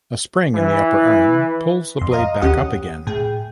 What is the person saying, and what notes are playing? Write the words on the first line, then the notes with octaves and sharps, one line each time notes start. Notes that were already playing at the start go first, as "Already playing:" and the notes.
A spring in the upper arm pulls the blade back up again.
E3
F2 C6
D#5 F5 A#5 D#6
D#2 C#4 G4 F#5 D#6
A2 G#4 G5